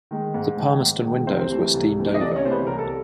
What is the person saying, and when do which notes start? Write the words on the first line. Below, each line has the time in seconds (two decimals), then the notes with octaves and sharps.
The Palmerston windows were steamed over.
0.11 D#3 G#3
0.34 G#2
0.57 D#3 G#3
0.80 G#2
1.04 D#3 G#3
1.27 C2 C4 C5
1.50 C3 E3 A3 C4
1.74 C2
1.97 C3 E3 A3 C4
2.14 D#5
2.20 C2 D4 D5
2.36 C#4 C#5
2.44 C3 E3 A3 C4 C5
2.51 B3 B4
2.67 C2 A#4
2.78 A4